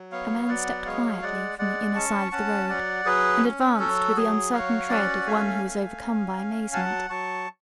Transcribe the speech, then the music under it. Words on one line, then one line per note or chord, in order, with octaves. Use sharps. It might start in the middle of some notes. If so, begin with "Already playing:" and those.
A man stepped quietly from the inner side of the road and advanced with the uncertain tread of one who is overcome by amazement.
Already playing: F#3
B3 C#5 F5
F#3 D5 F#5
G#3 C#5 F5
G#3 D5 F#5
G#3 D5 F#5
C#4 A5 C#6
C#4 F#5 A5
F#3 D5 F#5
F#3 G#4 B4
C#4
F#3 F#4 A4
F#3 G#4
F#4 C#5 F5
C#4 D5 F#5
A3 F5 G#5
A3
C#4
C#4
F#3 F#5 A5
F#3 A5 C#6